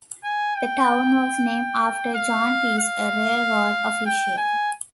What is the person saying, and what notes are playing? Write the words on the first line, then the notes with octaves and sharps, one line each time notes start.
The town was named after John Pierce, a railroad official.
G#5
G5
F5
F5
G5
G#5